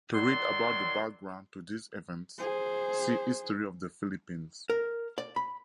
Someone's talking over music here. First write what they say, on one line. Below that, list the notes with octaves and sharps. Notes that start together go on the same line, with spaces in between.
To read about the background to these events, see History of the Philippines.
D#3 F#3 D5 C6
G#4 C5
A#4
D5
B5